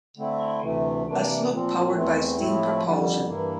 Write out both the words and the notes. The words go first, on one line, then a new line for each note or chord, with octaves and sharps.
A sloop powered by steam propulsion.
D3 A3 C4 E4
D2 C3 E3 A3
C3 E3 A#3 D4
A#2 F3 C4
E2 E3 A3 C4
A2 F3 A3 C4 E4
F2 D3 G3
G2 E3 A#3 E4